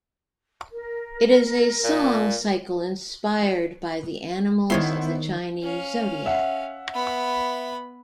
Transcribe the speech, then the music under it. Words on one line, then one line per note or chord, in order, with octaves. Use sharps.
It is a song cycle inspired by the animals of the Chinese zodiac.
A#4
A#2
D#3 B3 E4 C5 C#5 C6
C#4 F5
E5 F#5
B3 B5